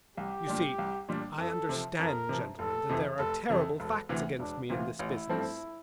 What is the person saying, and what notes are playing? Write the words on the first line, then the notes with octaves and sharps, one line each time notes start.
You see, I understand, gentlemen, that there are terrible facts against me in this business.
C2 G4
A#2 G3 D4
C2
A#2 G3 D4
F2 A4
C3 F3
F2 A#4
C3 F3
F1 A4
F2 C3 E3
F1 A4
F2 C3 E3 A4
E1 A4
D2 C3 E3
E1 D4
D2 C3 E3 F4
A1 E4
G2 F3 A3 C4